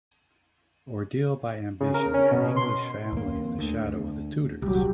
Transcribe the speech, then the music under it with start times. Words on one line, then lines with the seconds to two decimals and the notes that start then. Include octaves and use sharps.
"Ordeal by Ambition: An English Family in the Shadow of the Tudors".
1.80 C#3
1.94 A#4
2.14 C#4
2.31 B2
2.56 C6
3.13 D#2 A#3
3.59 D2
4.62 D#1 C2 F#3 G4